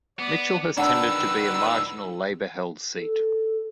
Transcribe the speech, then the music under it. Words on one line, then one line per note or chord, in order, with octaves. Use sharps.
Mitchell has tended to be a marginal Labor-held seat.
B3 D5
C#2 D#3 D4 B4 F#5 A5 E6
A4